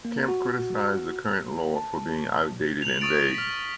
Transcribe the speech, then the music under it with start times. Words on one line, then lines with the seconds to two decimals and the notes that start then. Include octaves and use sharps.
Kemp criticized the current law for being outdated and vague.
0.05 A#3
0.28 F#4
1.75 A5
2.82 F7 F#7
3.01 C#6 D#6 A6 D7 F7
3.34 F6 B6